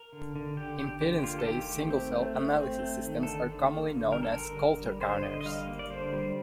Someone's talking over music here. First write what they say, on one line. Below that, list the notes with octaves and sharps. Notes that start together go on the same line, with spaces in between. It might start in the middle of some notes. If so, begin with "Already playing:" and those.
Impedance-based single cell analysis systems are commonly known as Coulter counters.
Already playing: A#4
D3
D3
D3 G4
D3 G4
D3 G4
G4
A#3 F4
A4
D#3 G4
A3
C4
A3
A3
C4
A3
D#3
D3 A4
D3
A#3
D3
G3 A#4
A4
D3 A#4
D3
G3
D3 C5
D3 D#5
D#5
G3 F5
A#3
D5
D3 C5
G3